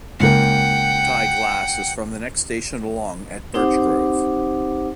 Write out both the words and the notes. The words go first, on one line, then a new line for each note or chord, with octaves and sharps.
Ty Glas is from the next station along at Birchgrove.
C#2 A#3 F#5 G5
C4 D#4 G4 C5 F#5 D6